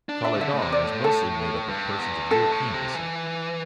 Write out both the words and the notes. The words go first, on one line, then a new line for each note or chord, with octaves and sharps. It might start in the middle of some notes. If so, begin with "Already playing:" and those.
Caledon is mostly made up of persons of European descent.
D4
E5
C3
D3 E5
A2
C3
D5
A2
A4
G2
E2
G2 A4
A2
C3
E3